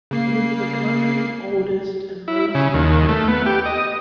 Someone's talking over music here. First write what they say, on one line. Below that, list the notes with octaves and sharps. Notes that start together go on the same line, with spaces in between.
It is the country's oldest and most important library.
C#3 A#3 C7
E4
C#3
D#2
A3
B3
G4
D#5